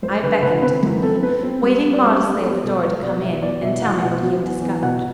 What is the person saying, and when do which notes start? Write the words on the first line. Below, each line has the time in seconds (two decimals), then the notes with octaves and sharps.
I beckoned to Gloody, waiting modestly at the door, to come in, and tell me what he had discovered.
0.02 F#2 C5
0.23 D3 B4
0.43 D3 B4
0.62 C4 B4
0.82 F#2
1.02 C4 A4
1.23 C4 B4
1.43 C4 C5
1.62 G3
1.83 B3
1.93 D5
2.02 G3 C5
2.23 G3
2.36 A4
2.42 B3 G4
2.63 B2 A4
2.82 G3 B4
3.02 B2 D5
3.22 B2 E5
3.42 E2 D5
3.62 B2 E5
3.82 E2 F#5
4.02 B2 F#5
4.23 F#3
4.42 E2
4.62 E2
4.82 B2 F#5